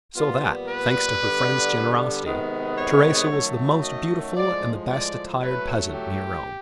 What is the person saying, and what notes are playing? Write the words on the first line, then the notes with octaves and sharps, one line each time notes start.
So that, thanks to her friend's generosity, Teresa was the most beautiful and the best-attired peasant near Rome.
A#2 G3 B3 F4
B4
D3 G3 B3
C3 D#3 G#3 B3
C#5
F#2 D#3 F#3 A3
D#5
A2 F3 G#3 D5
D5
A2 F#3 A3 B4
G4